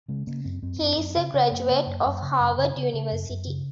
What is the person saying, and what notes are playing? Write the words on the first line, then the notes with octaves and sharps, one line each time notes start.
He is a graduate of Harvard University.
C#3 G#3
C#3 A#3
F#2 C4
F#2 C4
F#2
F#2
C#3
C#3
F#2 A#3
C#3
F#2
F#2
C#3
F#2
C#3
C#3
C#3
F#2
F#2
C#3